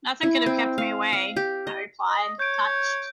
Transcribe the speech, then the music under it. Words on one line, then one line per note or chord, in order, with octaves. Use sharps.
"Nothing could have kept me away," I replied, touched.
E4
C4
F5
F5
G4
D#5
D#5
C#5 G6 D7